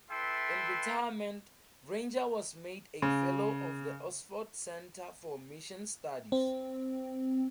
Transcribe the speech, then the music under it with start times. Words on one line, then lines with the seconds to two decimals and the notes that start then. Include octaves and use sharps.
In retirement, Ranger was made a fellow of the Oxford Centre for Mission Studies.
0.11 E4 A4 B4 E5 G5 C6
3.02 C#3
6.32 C4